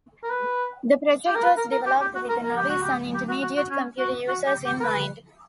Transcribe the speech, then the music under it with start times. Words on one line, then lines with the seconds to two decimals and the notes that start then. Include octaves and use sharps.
The project was developed with novice and intermediate computer users in mind.
0.23 A#4
0.30 B4
1.27 G4
1.35 A#4
1.43 B4
1.57 A#4
1.71 A#4
1.86 G4
2.01 G4
2.15 F#4
2.29 A#4
2.43 A#4
2.56 G4
2.69 F#4
2.82 G4
3.14 G4
3.29 F#4
3.42 F#4
3.57 F#4
3.70 C#4
3.98 F#4
4.28 F#4
4.47 G4
4.65 G4
4.80 A#4
4.84 B4